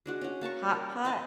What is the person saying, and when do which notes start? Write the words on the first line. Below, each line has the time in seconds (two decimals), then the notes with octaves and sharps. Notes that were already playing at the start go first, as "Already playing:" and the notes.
Hot pot?
0.06 G#3 D4 F#4
0.21 C#4 F#4
0.41 A#3 A5 A#5 C#6
0.74 A#4
1.05 D#5 A5